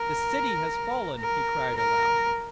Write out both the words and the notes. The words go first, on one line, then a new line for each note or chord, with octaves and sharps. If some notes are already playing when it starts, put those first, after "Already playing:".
"The city has fallen!" he cried aloud.
Already playing: A#4
A#4
A#4